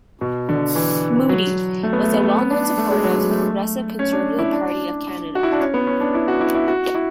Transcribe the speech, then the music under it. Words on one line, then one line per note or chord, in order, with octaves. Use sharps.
Moodie was a well known supporter of the Progressive Conservative Party of Canada.
B2
D3
E3
F#3
A3
B3
A3
B3
A3
B3
D4
D4
A3
G#3
F#3
F#3
A3
C#4
D4
E4
D4
F#4
E4
D4
C#4
B3
C#4
D4
E4
F#4
E4
E4
F#4
E4